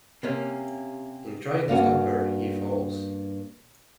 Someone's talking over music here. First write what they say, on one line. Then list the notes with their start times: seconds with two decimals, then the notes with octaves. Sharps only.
In trying to stop her he falls.
0.23 C3 A#3 C#4
1.68 G2 A#3 C#4 F#4